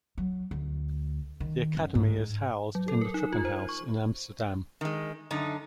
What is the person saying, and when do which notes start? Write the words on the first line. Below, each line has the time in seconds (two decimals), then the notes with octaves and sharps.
The Academy is housed in the Trippenhuis in Amsterdam.
0.18 F#3
0.51 D2
1.40 D#3
1.77 F#2
1.95 G#2
2.75 F#3
2.88 A4
3.01 A#4
3.14 D#4
3.33 F4
3.45 C5
3.69 C#6
4.81 D#3 G#3
5.31 F#2 D3 D#4